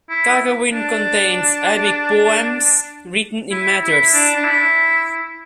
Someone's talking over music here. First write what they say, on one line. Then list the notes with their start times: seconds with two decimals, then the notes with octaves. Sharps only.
Kakawin contains epic poems written in metres.
0.10 E4
0.72 D4
3.51 E4
3.83 E4
4.13 D4
4.36 D4
4.44 E4